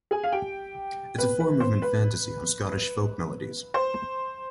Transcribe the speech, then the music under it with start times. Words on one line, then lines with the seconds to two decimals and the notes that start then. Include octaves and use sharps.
It is a four-movement fantasy on Scottish folk melodies.
0.11 G#4 G#5
0.24 F5
0.32 G4 G5
1.18 B4
1.40 B4
1.60 C5
1.82 B4
3.74 C5